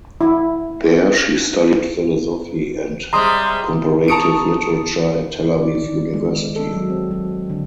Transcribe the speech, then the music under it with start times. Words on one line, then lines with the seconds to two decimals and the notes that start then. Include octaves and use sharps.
There she studied philosophy and comparative literature at Tel Aviv University.
0.21 E4
3.13 C3 G3 G#3 A#5 C6 D#6
4.08 A5 A#5 C#6 D#6 C#7 D7
5.55 D5
5.84 D#3
6.13 G#3
6.25 D#3
6.56 A4
6.72 F#3
6.90 C4
7.11 F#3
7.50 D3